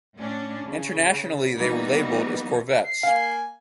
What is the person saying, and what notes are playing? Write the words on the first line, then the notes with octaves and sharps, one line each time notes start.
Internationally they were labeled as corvettes.
A2 C#4 D4
C#3
E3 G3 A#3 B3 D#4 F#4
C7
A#3 F5 G#5